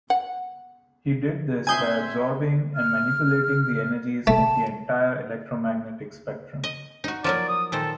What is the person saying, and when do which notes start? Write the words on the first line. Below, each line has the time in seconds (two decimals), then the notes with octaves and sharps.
He did this by absorbing and manipulating the energies of the entire electromagnetic spectrum.
0.10 F#5
1.67 C4 E5 G#5 C6 D#6 G6 G#6
2.75 F6
4.27 A3 A5
6.64 D#5
7.04 D#4 F#4
7.24 F3 F#3 A#3 D5
7.48 D#6
7.72 A#2 D#3 A4 C5